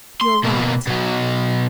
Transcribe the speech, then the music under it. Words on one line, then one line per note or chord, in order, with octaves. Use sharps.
You're right!
C6
B2 A#3
B2 F#3